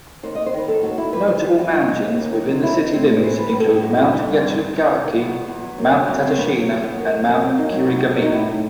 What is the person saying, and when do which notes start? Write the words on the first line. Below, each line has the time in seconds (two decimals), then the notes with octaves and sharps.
Notable mountains within the city limits include Mount Yatsugatake, Mount Tateshina and Mount Kirigamine.
0.23 D#2 C5
0.35 D#2 D#5
0.46 C5
0.54 D#3 B4
0.68 F#3 A4
0.83 D#2 F#4
0.98 D#2 E4
1.13 G2 B4
1.28 G2 C5
1.43 E3 G4
1.58 G3 F#4
1.73 G2
1.80 D#4
1.88 G2
2.03 D#2
2.18 D#2
2.34 D#3
2.48 F#3 C4
2.63 D#2 E4
2.79 D#2 D#4
2.92 A2 C4
3.07 A2 A4
3.23 E3 C5
3.38 G3 B4
3.49 A2 B4
3.60 A4
3.69 A2 G4
3.83 G2 F#4
3.97 G2 E4
4.12 E3 D#4
4.28 G3 C4
4.44 G2
4.59 G2
4.72 E2
4.87 E2
5.02 D#3
5.18 F#3 B3
5.34 E2
5.48 E2
5.63 F#3
5.78 F#2
5.93 F#3
6.08 F#2 C4
6.23 F#3 C4
6.38 F#2 B3
6.52 F#3
6.67 F#2 B3
6.83 F#3 B3
6.98 F#2
7.12 F#3
7.28 F#2
7.43 F#3 C4
7.57 F#2 D#4
7.72 F#3 C4
7.87 F#2 B3
7.99 C4
8.03 F#3
8.11 C4
8.18 F#2 D#4
8.32 A2 E4
8.48 A2